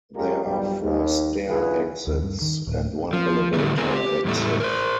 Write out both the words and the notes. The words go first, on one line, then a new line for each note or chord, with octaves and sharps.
There are four stair exits and one elevator exit.
G#3 C#4 F4 G4 A#4
B1 G2 F3 G3
D#2
B1 E2 D3 F4 G#4 B4
D#2
G2
D#3
D1
F3
A2 D3 E3 G3 A3
C4 F4 G#4 A#4 C5
G4
E2 A2 G3 A3
A#4 C5